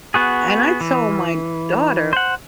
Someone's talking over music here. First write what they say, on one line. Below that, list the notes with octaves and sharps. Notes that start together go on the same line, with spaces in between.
And I told my daughter,
B3 F#4 G#4
E3
C5 F#5